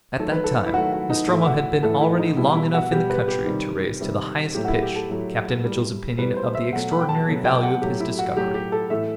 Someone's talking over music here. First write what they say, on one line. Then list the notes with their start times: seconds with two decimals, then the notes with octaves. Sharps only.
At that time Nostromo had been already long enough in the country to raise to the highest pitch Captain Mitchell's opinion of the extraordinary value of his discovery.
0.19 D#3 F#3 A3 A4
0.32 B4
0.44 A4
0.66 E4
0.73 D#3 F#3 A3 F#4
0.92 F#4
1.10 D#4
1.28 A2 E3 A3 E4
1.46 F#4
1.83 A2 E3 A3 A4
2.01 E4
2.19 D#4
2.37 B2 G3 E4
2.55 E4
2.74 F#4
2.92 B2 G3 G4
3.10 B4
3.28 G4
3.46 C3 D#3 G3
4.01 C3 D#3 G3
4.55 A2 F#3 A3 G4
4.65 F#4
4.68 E4
4.82 G4
4.96 A4
5.10 A2 F#3 A3
5.64 A2 G3
6.18 A2 G3 B4
6.37 C5
6.55 E5
6.72 B2 F#3 A3 F#5
6.91 B5
7.01 G5
7.09 A5
7.28 B2 F#3 A3
7.45 G5
7.63 F#5
7.82 A2 F#3 A3 G4
8.00 E4
8.19 F#4
8.37 A2 F#3 A3 G4
8.54 G4
8.72 A4
8.90 A2 E3 A3 E5